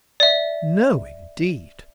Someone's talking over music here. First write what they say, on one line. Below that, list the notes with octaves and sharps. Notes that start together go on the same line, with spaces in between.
"No, indeed!"
D5 E5